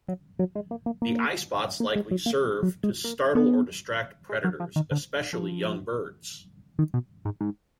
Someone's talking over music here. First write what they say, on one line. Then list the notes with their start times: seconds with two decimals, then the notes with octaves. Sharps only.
The eyespots likely serve to startle or distract predators, especially young birds.
0.08 F#3
0.39 F#3
0.55 G#3
0.71 A#3
0.86 A#3
1.02 A#3
1.80 A#3
1.96 G#3
2.11 F#3
2.26 A#3
2.63 F#3
2.84 G#3
3.04 A#3
3.35 B3
4.29 G#3
4.44 F#3
4.60 F3
4.76 D#3
4.91 D3
5.33 F3
6.79 D#3
6.94 B2
7.25 G#2
7.41 G#2